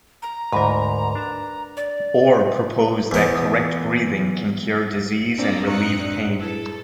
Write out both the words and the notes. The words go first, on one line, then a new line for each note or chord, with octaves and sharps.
Orr proposed that correct breathing can cure disease and relieve pain.
A#5
D2 G#2 A#4 B4
D4 A5
D5
E2 B3
A#3 C4 D4 D#4 D5
F#2 A2 D#4 E5 F#6 C#7
D5
E4 G#4 A4 B4